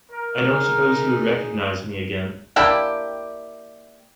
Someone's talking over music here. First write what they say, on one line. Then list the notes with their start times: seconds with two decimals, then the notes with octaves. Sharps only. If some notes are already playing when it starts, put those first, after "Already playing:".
I don’t suppose he would recognise me again.
0.11 A#4
0.49 D#4 G#4
2.56 A#3 D4 E4 G4